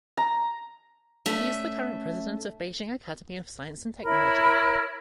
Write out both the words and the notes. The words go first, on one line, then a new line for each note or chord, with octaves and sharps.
He is the current President of Beijing Academy of Science and Technology.
A#5
A3 C#4 E5
E4 A#4 C#5 B5